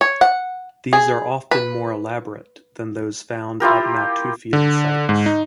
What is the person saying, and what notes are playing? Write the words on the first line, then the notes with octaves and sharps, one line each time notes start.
These are often more elaborate than those found at Natufian sites.
C#5
F#5
G#4
B4
E4 F4 G4 A#4
D3
G#2
D#4